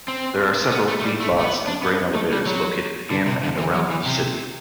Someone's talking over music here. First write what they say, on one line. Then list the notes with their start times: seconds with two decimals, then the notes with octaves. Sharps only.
There are several feedlots and grain elevators located in and around the city.
0.08 C4
0.72 B3
0.88 A3
1.00 A3
1.04 G3
1.20 A3
1.39 A3
1.44 B3
1.67 D4
1.83 B3
2.15 A3
2.32 G3
2.47 F#3
3.11 D3
3.26 C3
3.43 D3
3.58 E3
3.74 F#3
3.90 E3
4.06 C3